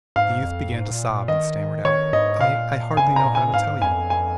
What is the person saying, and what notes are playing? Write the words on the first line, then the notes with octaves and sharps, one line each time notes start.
The youth began to sob, and stammered out: 'I--I hardly know how to tell you!
G#2 F5
F2
G#2
A#2
A#2
D#3 D#5
D#3 C#5
G#2 D#5
A#2 F5
C#3 G#5
A#5
A#2
G#5
G#2 F5
F2 G#5
G#5